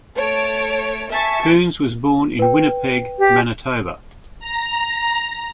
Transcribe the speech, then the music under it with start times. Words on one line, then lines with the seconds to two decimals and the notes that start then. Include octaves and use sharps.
Coons was born in Winnipeg, Manitoba.
0.16 A3 C#5 A5 D7
1.11 E5 G#5 A5 C#6 B6
2.39 B4 G5
3.19 G4
4.40 A#5